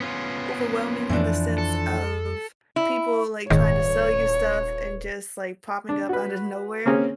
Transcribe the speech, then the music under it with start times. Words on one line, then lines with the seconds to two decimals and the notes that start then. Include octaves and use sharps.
overwhelming in the sense of people, like, trying to sell you stuff and just, like, popping up out of nowhere,
0.01 B3 C#4 F4
1.09 F2 E3 F3 D4
1.58 A4
2.76 E4
3.50 D#1 G#2 D#3 C#5
5.89 D4
6.09 F#4 B4
6.86 A#3 C4 C#4 G#4